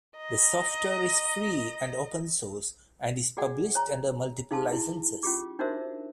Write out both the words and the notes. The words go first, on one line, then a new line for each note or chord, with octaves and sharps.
The software is free and open source and is published under multiple licenses.
D#5 A#5
F#4 G#4 D5 F#5 G#5
C#5 G#5 A#5
D#4 G#4 F5 G#5 A5 C6
E4
C#4 F4 G4 D6
D4 D#4 F#4 A#4 C5 E5